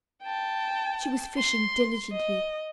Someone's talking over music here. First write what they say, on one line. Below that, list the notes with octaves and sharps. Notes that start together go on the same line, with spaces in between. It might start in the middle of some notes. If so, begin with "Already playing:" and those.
She was fishing diligently.
G5 A5
C6
D#5